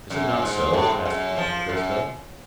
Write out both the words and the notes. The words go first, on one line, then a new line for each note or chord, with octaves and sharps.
"Is it not so?" asked Monte Cristo.
F#2
G#2
A2
G#2
F#2
F3
F#2